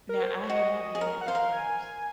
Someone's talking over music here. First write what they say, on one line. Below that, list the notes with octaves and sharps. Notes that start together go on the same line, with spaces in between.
Now I have had those.
A#4
C5
C#5
F#4 D#5
G#4
A#4
F#5
C5 F5
A#4
G#5